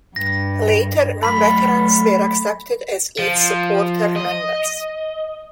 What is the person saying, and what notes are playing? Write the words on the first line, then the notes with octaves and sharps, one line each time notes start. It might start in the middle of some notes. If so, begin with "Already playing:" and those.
Later non-veterans were accepted as its supporter-members.
G2 A#6
F#3 A3 B5 B6
F3
D#5